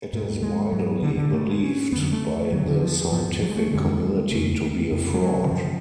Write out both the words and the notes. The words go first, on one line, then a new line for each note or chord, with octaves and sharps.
It is widely believed by the scientific community to be a fraud.
G#2
G#3
G#2 F#3
D3
D3
G#2 A3
G#3
C#4
F2 D3 B3
F#3
A3
F#2 D3 F#3
D3
F3
G#2 F3
F#3
G#3
A3
F2 D3 G#3
F2 C#3 A3
F2 C#3
G#3
F#3
D3
F#2 C#3 F3